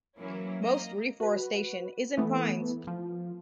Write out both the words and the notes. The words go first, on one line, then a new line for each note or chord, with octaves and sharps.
Most reforestation is in pines.
E3 F#3 A#3 C#4 E4
A#3 D#5 A#5
F#4 B4
E3 A3 B3
F3